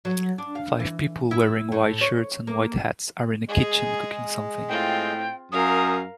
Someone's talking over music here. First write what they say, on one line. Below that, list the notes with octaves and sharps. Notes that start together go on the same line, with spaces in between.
Five people wearing white shirts and white hats are in a kitchen cooking something.
F#3
D4
F5
E3
E4
A2
C#5
A#3
G#3 G#4
A2 C4 F4 G5
F#2 A#4 F5 D#6